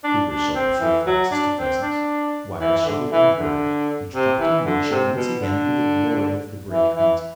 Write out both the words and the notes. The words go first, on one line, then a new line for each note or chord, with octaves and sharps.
Keepers shall prefer foxes to pheasants, wires shall be unheard of, and Trumpeton Wood shall once again be the glory of the Brake Hunt.
D4
D4
C4
E3
F#3
D4
C4
D4
E3
E3
D3
E3
D3
C3
E3
D3
C3
B2
D3
E3
E3